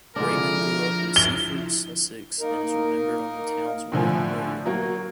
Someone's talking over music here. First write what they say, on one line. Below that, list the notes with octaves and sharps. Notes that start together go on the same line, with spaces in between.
Raymond grew up in Seaford, Sussex, and is remembered on the town's war memorial.
D3 F3 G#3 D4 E4 A#4
G7
A#3 D#4 A#4
A2 D3 F3 G#5
F#3 A#3 F#4